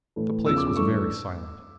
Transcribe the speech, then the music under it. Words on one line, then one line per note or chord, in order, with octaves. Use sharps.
The place was very silent.
A2 E3 A3
E2 C#3 F3 E6
D6
D6
G2 E3 A3 C#6